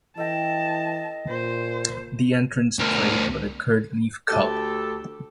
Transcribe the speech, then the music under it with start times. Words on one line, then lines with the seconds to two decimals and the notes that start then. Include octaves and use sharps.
The entrants play for the Kurt Lief Cup.
0.18 E3 A4 D#5 G5 A5
1.29 A#2 C5
2.79 D2 A#4
4.29 D2 G4 A4